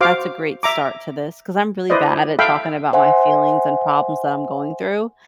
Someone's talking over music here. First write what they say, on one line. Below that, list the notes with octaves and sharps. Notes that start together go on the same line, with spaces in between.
that's a great start to this" 'cause I'm really bad at it talking about my feelings and problems that I'm going through,
F#4 C5 F5 D6
E5 A#5 D6
E4 B4 C5 D5 D#5
A4 E5 F5 G5 B5
C5 E5 F#5 G#5 C6